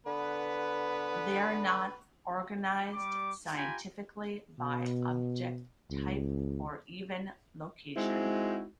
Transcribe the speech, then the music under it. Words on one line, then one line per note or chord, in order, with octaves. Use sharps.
They are not organized scientifically by object type, or even by location.
D3 B3 B4
G3 D6
F4 G4 G5 G#5 A#5 B5
B2
C#2
G#3 C4 D#4 E4 F#4